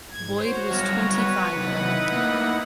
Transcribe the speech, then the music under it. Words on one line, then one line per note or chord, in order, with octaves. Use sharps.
Boyd was twenty-five then.
G#2 G#6
F#4 C5 C#5
F#3 G3 B3 A#4
B4
C3 D#3 F#3 D#4 E4 F#5
A#3 B3